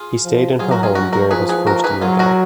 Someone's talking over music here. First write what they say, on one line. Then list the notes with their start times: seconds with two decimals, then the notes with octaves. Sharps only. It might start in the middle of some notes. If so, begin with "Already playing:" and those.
He stayed in her home during his first year there.
Already playing: F4 G#4
0.24 F3
0.59 F#3 F4 G#4
0.71 F#4 A#4
0.83 F4 G#4
0.95 F#3 F#4 A#4
1.13 F#4 A#4
1.31 F3 G#4 B4
1.49 G#4 B4
1.67 F#4 A#4
1.79 A#4
1.84 G#4 B4
2.01 F#3 F4 G#4
2.19 F#4 A#4